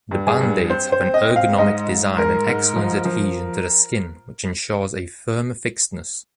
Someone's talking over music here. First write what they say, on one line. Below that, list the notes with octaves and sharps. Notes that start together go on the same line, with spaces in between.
The band-aids have an ergonomic design and excellent adhesion to the skin, which ensures a firm fixedness.
G2
G#4
G2
C4 C5
C5
C4
D#5
C4
F5
G#2 D#5
G#2
G#2 A#4
G#2
F3
F3